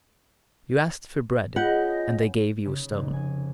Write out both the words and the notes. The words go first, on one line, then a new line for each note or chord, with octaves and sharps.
You asked for bread, and they gave you a stone.
C#3 F4 G#4 B4 D#5 F#5 G6
C#3
F1
G#5